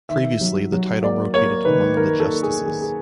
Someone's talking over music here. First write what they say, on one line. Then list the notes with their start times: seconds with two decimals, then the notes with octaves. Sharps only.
Previously the title rotated among the justices.
0.09 D#3 E5
0.41 F#3
0.72 F#3
1.03 A#3 D5
1.34 A#3 C#5
1.65 D#3 B4
1.97 D#3 A#4
2.20 A4
2.28 A#3
2.43 G#4
2.59 D#3
2.66 G#4
2.82 G#4